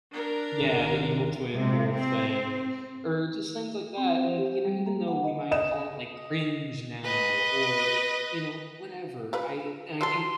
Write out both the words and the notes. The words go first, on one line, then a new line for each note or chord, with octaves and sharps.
Yeah, the evil twin wolf thing, or just things like that, and, you know, even though we might call it, like, "cringe" now or, you know, whatever, I and I think
D4 A#4
G#1
C3 G#3
C4
C4
C5
G4
G3
A#3
F#5
D#5
D#5 E7
B4 D#5
G3 F4 B4
G3 F#4 A4 C6